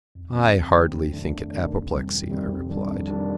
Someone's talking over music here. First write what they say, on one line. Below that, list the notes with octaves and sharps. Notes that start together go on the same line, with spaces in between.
"I hardly think it apoplexy," I replied.
F2
D3 F3 C4
F2
D3 F3 C4
F2
C3 D#3 A3 D4
F2
C3 D#3 A3 D4
F2
C3 D#3 G3 C4
F2
C3 D#3 G3 C4
F2
C3 D#3 G3 D4
F2
C3 D#3 G3 D4